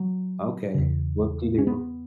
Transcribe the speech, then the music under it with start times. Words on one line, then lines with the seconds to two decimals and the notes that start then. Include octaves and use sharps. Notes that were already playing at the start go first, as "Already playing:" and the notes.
"Okay, whoop-de-doo."
Already playing: F#3
0.74 E2 C#3
1.58 C#4
1.67 B3